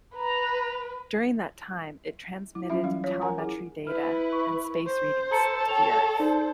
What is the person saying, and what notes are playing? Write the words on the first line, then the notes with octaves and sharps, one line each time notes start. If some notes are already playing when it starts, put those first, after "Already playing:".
During that time, it transmitted telemetry data and space readings to the Earth.
B4 A#5
E4
F#3 C#4 F4 E5
E3 G3 C#4 F5
F4 C#5
A#4 F#5 G#5 A#5
E4 G#4
E4 B4 F6
C#6
C5
A4 A#5 C#7
C#5 G5 A5 F7
D#4 C5 D5